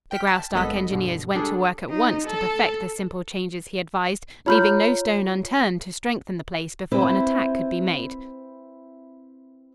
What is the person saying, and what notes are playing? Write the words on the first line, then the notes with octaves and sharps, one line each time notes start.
The Graustark engineers went to work at once to perfect the simple changes he advised, leaving no stone unturned to strengthen the place before an attack could be made.
G5 F6 B6
A5
G#1 G2 B3 A4 D#5 B6
G2 B2 D3
G3 D4 G#4 A4
D#4
A4
F4 C#5 A#5 B5 F6 G6
C4 E4 B4 C5